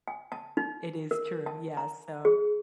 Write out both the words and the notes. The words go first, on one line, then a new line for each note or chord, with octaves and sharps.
It is true. Yes, so
G#5
A5
D#4
A#4
A5
A#5
G#4